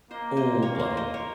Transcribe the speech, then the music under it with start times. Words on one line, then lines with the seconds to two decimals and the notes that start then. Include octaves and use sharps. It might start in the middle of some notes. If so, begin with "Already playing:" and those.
old, like,
0.11 A#3 C5 D#5
0.37 C5 D#5
0.62 A#3 A#4 C#5
0.79 C5 D#5
0.97 C5 D#5
1.14 A#4 C#5